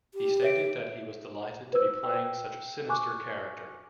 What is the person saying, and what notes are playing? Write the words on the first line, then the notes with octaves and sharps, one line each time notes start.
He stated that he was delighted to be playing such a sinister character.
G4
C#5 E5 D7
B4 C5 E6
G5 E6
G#5 C#6 D6 F#6